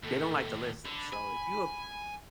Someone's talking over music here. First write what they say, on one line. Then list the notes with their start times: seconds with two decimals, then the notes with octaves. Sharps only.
they don't like to listen. So if you a
0.04 D#2 A2 A4
0.86 D3 B5
1.13 G#5